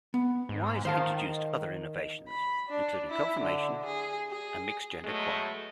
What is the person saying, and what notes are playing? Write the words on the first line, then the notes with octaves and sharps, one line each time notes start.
Wise introduced other innovations, including confirmation, a mixed-gender choir.
B3
G#2
D#3 C5 F5 A5
B5
D4
E4
D3
G#4
G#4
B2 F#3 G#3 A3